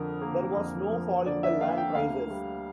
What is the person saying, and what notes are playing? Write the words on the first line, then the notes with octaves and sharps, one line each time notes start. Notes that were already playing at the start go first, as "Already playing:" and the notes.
There was no fall in the land prices.
Already playing: F2 D3 F3 A#4
A#3
F2
F3
D3 D5
E5
A#3 F5
G5
D2 F5
G3